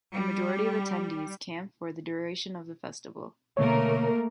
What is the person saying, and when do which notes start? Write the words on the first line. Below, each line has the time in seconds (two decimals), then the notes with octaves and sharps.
The majority of attendees camp for the duration of the festival.
0.14 G3
3.57 B2 D3 A3 A#3 A#4 C#5